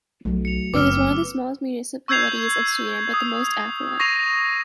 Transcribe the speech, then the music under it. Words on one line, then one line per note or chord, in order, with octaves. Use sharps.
It is one of the smallest municipalities of Sweden, but the most affluent.
B1 F#3 A3
C#7 F7
F#1 C4 B4 D6 E6 F6
C#6 E6 G6 G#6 C7 F7
D#6
C#6 A#6 C7 D#7 F7